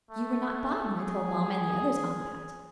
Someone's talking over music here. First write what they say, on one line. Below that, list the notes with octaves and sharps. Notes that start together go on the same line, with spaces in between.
You were not by, when I told mamma and the others all about it.
A3
G#4